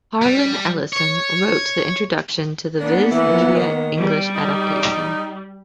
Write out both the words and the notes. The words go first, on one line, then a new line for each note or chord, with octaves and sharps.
Harlan Ellison wrote the introduction to the Viz Media English Adaptation.
G3
C#5
A#3 B3 D4
E3
D#3
G3
D#4